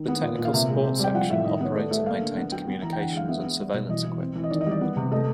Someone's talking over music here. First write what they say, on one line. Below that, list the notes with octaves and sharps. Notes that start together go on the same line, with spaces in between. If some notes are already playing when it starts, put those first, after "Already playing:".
The Technical Support section operates and maintains communications and surveillance equipment.
Already playing: D#3
B3
A#2
A#2
F5
C3 E5
G#3
C4
G3 G5
F3 F#5
A2 E5
D#3 D#5
B3 C#5
A3 D5
A3 E5
A#3 F5
D3
B3 F#5
F#3 G5
B3
E3 A#5
G5
D3 F#5
G#3 F5
B3 E5
B3
G3
B2
E3 D#5
E3
C4
E3
D#5
D#3 D5
D#5
G3
D5
B3
C3
A3 D#5